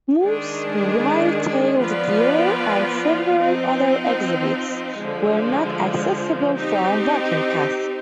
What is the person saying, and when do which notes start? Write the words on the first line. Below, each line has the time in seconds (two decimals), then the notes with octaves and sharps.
Moose, white-tailed deer and several other exhibits were not accessible from walking paths.
0.23 D#3 G#3 D4 G#4
1.81 F3 B3 F4 B4 D5
3.39 F3 C4 D#4
4.98 D3 F3 G#3
6.57 C4 D#4 G4